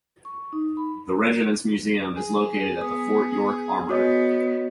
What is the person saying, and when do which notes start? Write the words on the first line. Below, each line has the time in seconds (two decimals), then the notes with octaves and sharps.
The regiment's museum is located at the Fort York Armoury.
0.25 C#6
0.53 D#4
0.77 B5
2.17 G#4
2.81 B3 D#6
3.89 B3 F#4 C#5 D#5